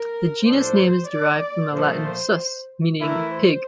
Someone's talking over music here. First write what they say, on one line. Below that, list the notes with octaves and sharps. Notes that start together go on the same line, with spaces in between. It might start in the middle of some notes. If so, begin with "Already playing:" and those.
The genus name is derived from the Latin "sus", meaning "pig".
Already playing: A#4
A2 F3 A#3 D4 A4 C5
D5
A#2 F3 A3 C5
E3 A3 E4 A#4
C5